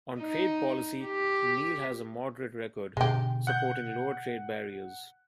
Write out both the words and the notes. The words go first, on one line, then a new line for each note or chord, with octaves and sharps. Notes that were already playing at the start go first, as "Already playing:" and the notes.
On trade policy, Neal has a moderate record, supporting lower trade barriers.
D#4
G4
B2 D3 G#3 G4
F#5 F#6 G6